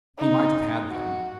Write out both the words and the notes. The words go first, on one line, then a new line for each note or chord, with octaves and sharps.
He might have had them.
D#4
F#4